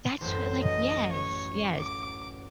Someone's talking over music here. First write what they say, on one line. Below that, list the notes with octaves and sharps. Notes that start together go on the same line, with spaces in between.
That's what like, yes. Yes.
A1 F#2 C5
D#5
C#5
D6